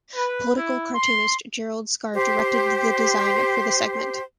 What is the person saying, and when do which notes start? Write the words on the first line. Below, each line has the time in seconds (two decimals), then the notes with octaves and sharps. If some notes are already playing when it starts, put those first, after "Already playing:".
Political cartoonist Gerald Scarfe directed the design for the segment.
0.13 B4
0.55 E4
0.95 C6
2.15 G4 C5